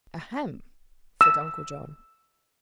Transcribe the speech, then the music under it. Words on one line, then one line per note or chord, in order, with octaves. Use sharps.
"Ahem!" said Uncle John.
E6